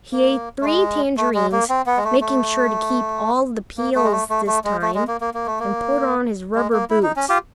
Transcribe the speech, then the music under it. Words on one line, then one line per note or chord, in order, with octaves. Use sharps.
He ate three tangerines, making sure to keep all the peels this time, and put on his rubber boots.
A#3
A3
G#3
A3
G#3
A#3
C4
B3
G#3
A3
A3
A#3
A3
G#3
A3
A3
A3
G#3
A3
G#3
A#3
A#3
A#3
A3
A#3
G#3
A#3
E4
D#4
C#4
F4 G4